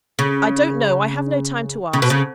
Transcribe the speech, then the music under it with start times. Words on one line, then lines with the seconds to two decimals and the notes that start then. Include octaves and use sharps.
'I don't know,--I have no time to ask.
0.19 C#3
1.93 C#3
2.02 B2
2.10 C#3